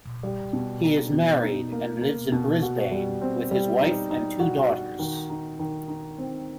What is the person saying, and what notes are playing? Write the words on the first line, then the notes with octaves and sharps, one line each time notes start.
He is married and lives in Brisbane with his wife and two daughters.
G3
B2
D#4
B2
D#4
A#3
A#3
B2
F#4
G3
C4
G3
D#4
D#4
F#4
F#4
D#3
D#4
D#3
D#4
C4